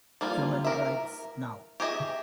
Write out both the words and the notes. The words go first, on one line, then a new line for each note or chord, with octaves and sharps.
Human Rights Now!
F3 G3 A#3 F4
A#4 E5
G4 G#4 D#5 E5